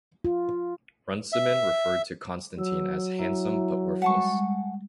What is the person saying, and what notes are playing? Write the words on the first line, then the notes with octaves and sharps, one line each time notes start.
Runciman referred to Constantine as "handsome but worthless".
F4
E5
F#3 E6
E4 E5 A#5
G3 G#3 F#5 A5 C#6